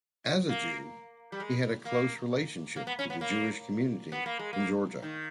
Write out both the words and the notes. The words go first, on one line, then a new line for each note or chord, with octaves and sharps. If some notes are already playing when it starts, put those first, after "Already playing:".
As a Jew, he had a close relationship to the Jewish community in Georgia.
A#3
G3
G#3
A#3
A#3
B3
C#4
B3
A#3
B3
A#3
G#3
A#3
D#3